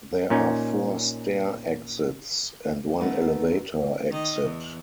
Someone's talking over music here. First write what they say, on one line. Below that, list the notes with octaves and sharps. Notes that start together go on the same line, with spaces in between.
There are four stair exits and one elevator exit.
A#2 C#4 D#4
D#3 A3 B3 D#4
D#3 D#5
E2